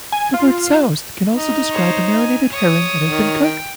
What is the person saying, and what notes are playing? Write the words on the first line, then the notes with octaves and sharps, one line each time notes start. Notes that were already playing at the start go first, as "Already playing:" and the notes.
The word 'soused' can also describe a marinated herring that has been cooked.
G#5
F4
D#4
C5 C#5
G#5
C#5 D#6
D#3
G5